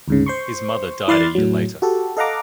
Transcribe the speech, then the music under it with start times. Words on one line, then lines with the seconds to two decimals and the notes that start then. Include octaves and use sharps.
His mother died a year later.
0.08 D2 G#2 C#3
0.26 C5 C6 C#6
1.08 E3 B4 D5 C6 F6 A6
1.35 A2 F#3
1.82 F#4 G4 A4
2.17 A4 D#5 F5 F#5 A#5 D6